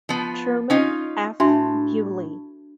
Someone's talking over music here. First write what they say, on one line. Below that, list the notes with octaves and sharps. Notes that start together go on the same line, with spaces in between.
Truman F. Bewley.
F3 B3
C#4 D#4 F4
A2 D4 F#4 E5